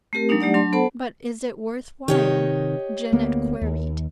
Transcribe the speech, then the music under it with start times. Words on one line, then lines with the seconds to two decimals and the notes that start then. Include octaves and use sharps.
"But is it worth while?" Janet queried.
0.13 A3 C4 G4 A#4
0.29 F#3 G#3 A#3 D4 D#4
0.41 A3 G4 D5 F#5
0.54 F#3 D4 A5 C6
0.73 B3 A4 C5 F#5 A5 B5
2.08 C3 D#3 G4 C#5 D#5
3.12 D2 A#3 B3
3.61 D#2